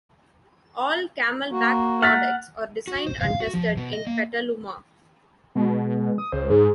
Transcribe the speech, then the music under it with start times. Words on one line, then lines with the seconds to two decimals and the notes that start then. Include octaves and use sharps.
All CamelBak products are designed and tested in Petaluma.
1.52 A#3 F#4
2.02 F#5 F6 A6 B6
2.87 F#4
3.07 C5
3.21 F5
3.40 F#4
3.54 F3
3.77 B2
3.93 D#5
4.07 A#3
5.55 B2 G#3
6.18 D#6
6.32 C#2 C5
6.50 G#2 G#4